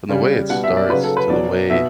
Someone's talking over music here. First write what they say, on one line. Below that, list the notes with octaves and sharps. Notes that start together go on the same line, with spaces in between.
from the way it starts to the way
C#3 G3
B2 G3 F#5
E5
D5
C#3 F#3 B4
A4
B4
B2 F#3 D5
B2 E5